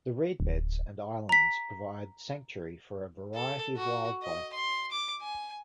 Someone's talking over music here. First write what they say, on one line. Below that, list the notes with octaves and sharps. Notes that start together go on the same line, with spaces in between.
The reed beds and islands provide sanctuary for a variety of wildlife.
D1
A#5 B6
A4
F#4
D#5
C6
D6
G#5